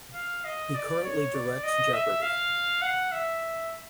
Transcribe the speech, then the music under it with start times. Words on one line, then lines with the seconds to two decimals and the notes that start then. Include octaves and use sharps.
He currently directs Jeopardy!
0.14 F5
0.45 D#5
0.75 D5
1.04 C#5
1.34 D5
1.64 D#5
1.93 E5
2.22 F5
2.82 F#5
3.12 E5